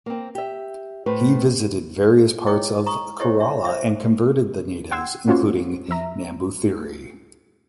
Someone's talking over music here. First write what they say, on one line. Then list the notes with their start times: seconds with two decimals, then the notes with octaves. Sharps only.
He visited various parts of Kerala and converted the natives including Namboothiri.
0.06 A#3 C4
0.35 G4 E5
1.06 A2 A3 B4 C5
2.46 E4 G#4 C#5 D#5 G5 D6
2.86 A#5 C#6 D#6
3.20 E4 G4 G#4 C5 C#5 D#5
3.40 D4 C#5 E5
3.65 C5 D5 E5
4.91 F#5 G5 C6 E6 G#6
5.27 A#3 C#4 F4 F#4 C5 C#5
5.88 F2 F3 E5 A#5